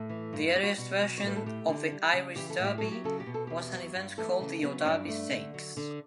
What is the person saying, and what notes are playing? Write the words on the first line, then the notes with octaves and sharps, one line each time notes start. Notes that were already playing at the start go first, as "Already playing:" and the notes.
The earliest version of the Irish Derby was an event called the O'Darby Stakes.
Already playing: A2 A3 A4
E3
G2
G3 G4
F#4
B2 F#4
F#3
C#5
A2 B4
A4
A3 G4
D3
G3
C#3
E3 G4
A4
A2
G4
F#3 A4
G4
C#3 A4
G4
B2
A4
E2 G4
F#3
G2
E3 A3 A4
C#3
F#3 B3 B4
C#5
G2 D4 D5
A3
D3
F#3
D3